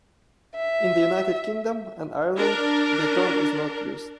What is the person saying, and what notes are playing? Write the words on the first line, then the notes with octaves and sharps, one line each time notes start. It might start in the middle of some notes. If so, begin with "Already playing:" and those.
In the United Kingdom and Ireland, the term is not used.
E5
D4 A#4